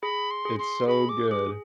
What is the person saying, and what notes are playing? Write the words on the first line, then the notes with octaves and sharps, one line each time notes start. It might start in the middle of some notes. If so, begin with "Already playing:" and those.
it's so good.
G#4 B5
C6
G#4
C6
G#4 B5
D6
G#4 D6